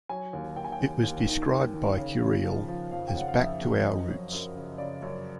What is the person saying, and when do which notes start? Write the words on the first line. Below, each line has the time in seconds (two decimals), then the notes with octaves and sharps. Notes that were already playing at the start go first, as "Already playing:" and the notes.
It was described by Curiel as Back to our roots.
0.09 F#3 G#5
0.33 D#2
0.56 D#2 G5
0.64 G#5
0.72 G5
0.81 D#2
1.03 D#2
1.27 D#3
1.51 D#3
1.74 D#3
1.98 C#3
2.21 C#3
2.44 F3
2.68 F3
2.91 F2 F5
3.08 G5
3.14 C#3 F#5
3.28 F5
3.37 F2 E5
3.61 F2
3.84 F#2 D#5
4.08 F#3
4.32 F#2
4.56 C#3
4.78 C#3 D5
5.02 F#2 C#5